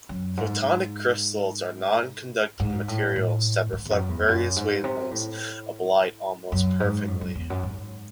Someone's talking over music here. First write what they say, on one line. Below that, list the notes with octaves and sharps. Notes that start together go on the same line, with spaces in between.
Photonic crystals are non-conducting materials that reflect various wavelengths of light almost perfectly.
F#2
G#2
G#2
A2
A2
G#2
E2
F#2
E2
F#2
G#2
C3
A2
F#2
G#2
F#2
F#2
E2
F#2
G#2